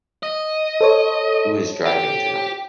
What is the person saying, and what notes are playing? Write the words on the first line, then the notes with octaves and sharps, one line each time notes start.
Who is driving tonight?
D#5
A4 C5 C#5
G4